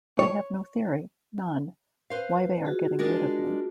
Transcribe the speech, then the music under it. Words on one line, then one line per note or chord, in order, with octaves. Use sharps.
I have no theory, none, why they are getting rid of me.
C#5
B4 C5 F5
F4 F#4 G#4
G#3 D4 A#4